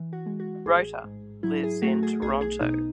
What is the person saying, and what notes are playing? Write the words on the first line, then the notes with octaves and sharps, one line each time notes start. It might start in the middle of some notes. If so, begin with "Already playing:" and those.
Roter lives in Toronto.
Already playing: E3
F#4
G#3
F#4
A1 G#4
G#2
F#3 E4
G#4
A3 F#4
G#4
B1 G#4
G#4
B2 D#4